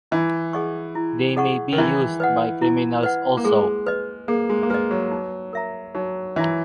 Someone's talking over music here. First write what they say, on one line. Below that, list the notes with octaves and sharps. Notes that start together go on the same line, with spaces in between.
They may be used by criminals also.
E3 E4
G#4 D#5 F#5 C#6
E4
G#4 D#5 F#5 C#6
D#3
E3 E4
B4 D#5 F#5
E4
B4 D#5 F#5
A#3
G#3 G#4
B4 D#5
A#3 G#4
G#3
A#3
G#3 B4 D#5
F#3
D#4
A#4 E5 A#5
F#3 D#4
E3 A#4 E5 A#5